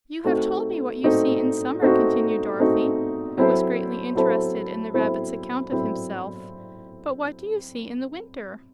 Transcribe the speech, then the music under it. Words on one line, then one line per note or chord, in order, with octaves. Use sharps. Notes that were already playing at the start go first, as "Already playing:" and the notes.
"You have told me what you see in summer," continued Dorothy, who was greatly interested in the rabbit's account of himself, "but what do you see in the winter?"
A3 C4 D#4 F#4
A3 C4 D#4 F#4
A3 C4 D#4 F#4
A3 C4 D#4 F#4
F#3 C4 E4 A4 C5
F#3 C4 E4 A4 C5
F#3 C4 E4 A4 C5
F#3 C4 E4 A4 C5